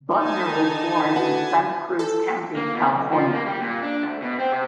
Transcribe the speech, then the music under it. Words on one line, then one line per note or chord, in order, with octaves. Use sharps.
Buttner was born in Santa Cruz County, California.
D3 D#4 G#5 A5
E4 F#4 B4 F#5
A4
A#3
B2
B1
F3
A#3
G3
A#2
D4
D2
B2
C4
C3